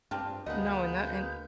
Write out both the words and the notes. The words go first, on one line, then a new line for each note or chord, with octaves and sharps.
No, and that, and
G2 C4 D4 F4
D2 G#3 A#3 B3 D#5 F#5 G6